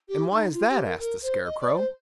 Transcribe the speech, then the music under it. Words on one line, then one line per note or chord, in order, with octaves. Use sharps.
"And why is that?" asked the Scarecrow.
G4
D#4
F4
G4
A#4
A#4
C5
D#5
D5
C5